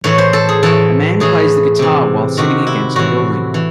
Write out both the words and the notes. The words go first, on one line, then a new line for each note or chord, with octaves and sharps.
A man plays the guitar while sitting against a building.
A2 E3 C#5
C5
A4
G#4
A2 E3 A4
A2 E3 G#4
C3 E3
C3 D#3 F#4
E4
A2 E3 F#4
E3